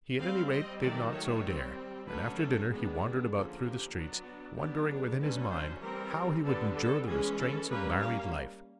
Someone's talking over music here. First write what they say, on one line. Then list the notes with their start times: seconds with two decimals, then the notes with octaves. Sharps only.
He at any rate did not so dare;--and after dinner he wandered about through the streets, wondering within his mind how he would endure the restraints of married life.
0.18 G3 C4 F5
0.50 D#5
0.81 D#3 F#3 A3 D5
1.12 C#5
1.43 G3 C4
2.06 D3 F#3 A3 C#4 B4
2.37 A4
2.68 D#3 G#3 B3 D4 G#4
3.31 D3 F3 A#3 C#4
3.62 G4
3.94 F#3 B3 D4 F#4
4.24 F#4
4.55 F#3 B3 D4 G4
4.88 G#4
5.19 D3 F#3 A3 C#4 B4
5.49 C5
5.81 E3 G3 C4 A#4
6.43 D3 G3 B3 D4 A4
6.75 A4
7.06 E3 G#3 C#4 G#4
7.38 A4
7.68 G3 A#3 C#4 B4
7.99 F5